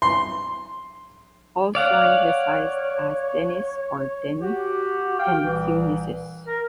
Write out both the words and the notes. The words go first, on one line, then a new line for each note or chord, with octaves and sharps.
Also anglicised as Dennis or Denis and Dionysius.
C6
C#5 D5 F5 F#5
F#4 G4
F5 G5
C2 A#2 E3
A#4